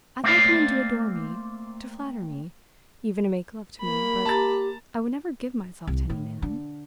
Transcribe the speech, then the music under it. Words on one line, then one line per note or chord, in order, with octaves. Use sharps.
I like men to adore me--to flatter me--even to make love to me--but I would never give myself to any man.
A3 A#3 C4 C5 D5 F5
A#3 B5
G4 A5 A#5 A6
C2
A2
D3